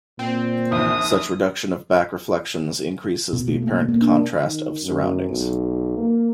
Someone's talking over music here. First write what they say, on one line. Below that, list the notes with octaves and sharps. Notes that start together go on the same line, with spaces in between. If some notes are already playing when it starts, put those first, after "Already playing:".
Such reduction of back reflections increases the apparent contrast of surroundings.
A#2 C4
A#1 D#2 D#6
B2
A3
A#3
A3
A#3
D4
D#3
F#2
B1
A#3